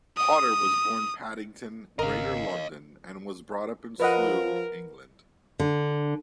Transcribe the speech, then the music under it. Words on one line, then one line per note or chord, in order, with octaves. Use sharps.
Potter was born Paddington, Greater London, and was brought up in Slough, England.
D#6
G#1 C#3 A#4 D#5 F5
F3 A#4 B4 D#5 F#5
D3